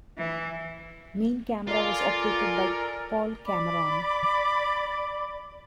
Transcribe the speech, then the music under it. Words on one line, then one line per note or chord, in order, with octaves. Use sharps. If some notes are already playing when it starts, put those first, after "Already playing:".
Main camera was operated by Paul Cameron.
E3
F4 A4 A#4 D5 G#5
D5 B5 D6